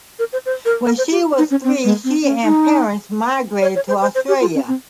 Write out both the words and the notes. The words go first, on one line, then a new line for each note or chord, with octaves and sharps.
When she was three she and parents migrated to Australia.
A#4
C5
C5
A#4
A#4
C5
G4
D#4
C#4
C4
G#3
C4
C#4
D#4
C#5
C#5
C5
C5
C5
G4
F4
C#4
C4